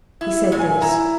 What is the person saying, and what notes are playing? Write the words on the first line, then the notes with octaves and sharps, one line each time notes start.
He said this.
E4
A#2
G#5
E4 A#5